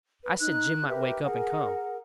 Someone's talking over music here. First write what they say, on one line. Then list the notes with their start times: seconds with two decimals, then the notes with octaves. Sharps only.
I said Jim might wake up and come.
0.23 B4
0.40 D#4 F#6
0.88 G4 A#4 B4 E5
1.22 G#4 A#4 F#5